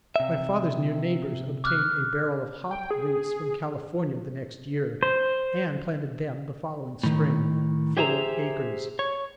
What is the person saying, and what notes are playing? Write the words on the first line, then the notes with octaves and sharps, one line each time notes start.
My father's near neighbors obtained a barrel of hop roots from California the next year, and planted them the following spring--four acres.
C3 E5
D6 F6 F#6
G5
G#4
C5
A2 D#3
G4 G#4 C5 E5 F5 A#5
C#5